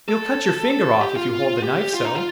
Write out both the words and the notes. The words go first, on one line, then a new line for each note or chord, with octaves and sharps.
"You'll cut your finger off, if you hold the knife so!"
A4
A4
G4
F4
G4
F4
D#4
F4